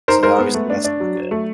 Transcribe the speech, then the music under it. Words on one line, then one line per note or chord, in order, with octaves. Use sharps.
so obviously that's not good.
D#4 A#4 C5
G#3 A#4 C5
B3
A3
D4
D4
F#3
F#3
A3